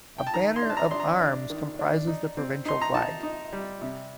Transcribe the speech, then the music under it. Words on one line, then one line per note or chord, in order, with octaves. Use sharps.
A banner of arms comprises the provincial flag.
G5
A5
D#3 A#5
C6
D4
A5
A#5
D4 C6
A#5
D4
D#3
D4
D#4
C4
D#4 C6
A#5
D#4 A5
D#4
G3
C3